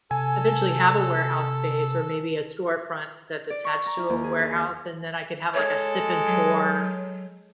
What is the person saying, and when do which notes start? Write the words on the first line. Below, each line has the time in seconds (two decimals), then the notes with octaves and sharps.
eventually have a warehouse space or maybe a storefront that's attached to a warehouse, and then I could have, like, a sip and pour;
0.11 C3 A4 G#5
3.50 D5
3.64 C#6
3.86 A#5
3.97 E4
4.10 D#2
4.24 G#4
4.38 D#4
5.54 G#3 A4 C#5
6.27 F#3